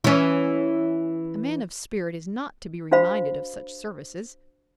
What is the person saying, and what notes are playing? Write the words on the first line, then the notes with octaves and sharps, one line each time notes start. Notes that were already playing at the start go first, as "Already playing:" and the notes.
A man of spirit is not to be reminded of such services.
E3 C#4
D4 F#4 C5 F5 B5